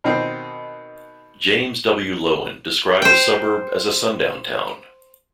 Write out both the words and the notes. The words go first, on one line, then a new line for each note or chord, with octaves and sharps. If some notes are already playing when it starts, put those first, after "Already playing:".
James W. Loewen described the suburb as a sundown town.
B2 D#3 C4
C5 G5